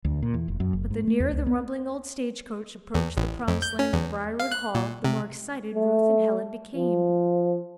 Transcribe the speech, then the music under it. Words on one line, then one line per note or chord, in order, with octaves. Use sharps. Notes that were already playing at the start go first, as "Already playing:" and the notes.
But the nearer the rumbling old stagecoach approached the promised land of Briarwood Hall the more excited Ruth and Helen became.
D2
A#2
E2
F1
F#2
F#1
G#2
A3
E2
C#2
B3
E2
A1
F2
G6
C#4
E2
F5
F#6
A#2
C3
A3
F3